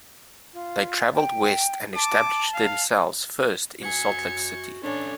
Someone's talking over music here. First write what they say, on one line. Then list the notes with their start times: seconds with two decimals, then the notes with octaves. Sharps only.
They traveled west and established themselves first in Salt Lake City.
0.53 F4
1.15 G5
1.96 A5 D6
2.55 F5
3.83 F#4 G#5 G#6 C#7
4.83 C#4 D4 A4 C#5 G#5